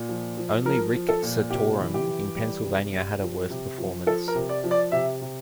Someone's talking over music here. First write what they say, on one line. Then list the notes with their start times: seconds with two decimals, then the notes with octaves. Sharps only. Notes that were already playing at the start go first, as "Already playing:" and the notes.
Only Rick Santorum in Pennsylvania had a worse performance.
Already playing: A#2
0.09 F3
0.37 F3
0.65 F3 A#4
0.94 F3
1.09 A4
1.23 A#2
1.50 C3 G4
1.80 E3
1.94 G4
2.07 E3
2.36 G3
2.64 C3
2.93 G3
3.22 F3
3.50 C3
3.78 F3
4.07 F3 A4
4.28 A#4
4.35 C3
4.49 D5
4.64 F3
4.71 D5
4.92 C3 E5
5.21 C3